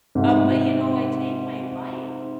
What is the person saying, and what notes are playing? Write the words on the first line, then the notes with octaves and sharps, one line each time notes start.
Um, but you know, I take my bike
G#2 C3